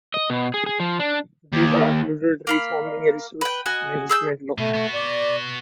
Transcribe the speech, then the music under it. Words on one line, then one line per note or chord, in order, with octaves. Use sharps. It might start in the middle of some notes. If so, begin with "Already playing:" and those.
These included reforming resource management law.
D#5
B2
G#4
G#4
F3
D4
D#2
A#3 F5 B5
B4 G5
F#4 D#5 G#5
G#4 E6 G6
B2 A3
B3 F#4
D5